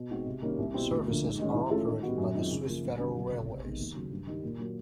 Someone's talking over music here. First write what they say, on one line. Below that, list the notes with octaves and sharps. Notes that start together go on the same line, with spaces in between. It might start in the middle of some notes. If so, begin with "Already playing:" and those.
Services are operated by the Swiss Federal Railways.
Already playing: B2
G#3 C4 D#4 F#4
C3
D#3 G3 A#3 C#4
C2
B2 G3 C4 E4
D2
D3 F3 A#3
G#2
D#3 G#3 C#4
E3
A3 C#4 F4 A4
D#3
G3 B3 D#4 F#4
F#2
D#3 G#3 C4 F4
C#3
F3 A#3
G2
D3 G3 C4
F#2
C#3 F#3
C3
D#3 G#3 B3
D#2
C#3 F#3
G2
D#3 G3
A#2
F#3 A#3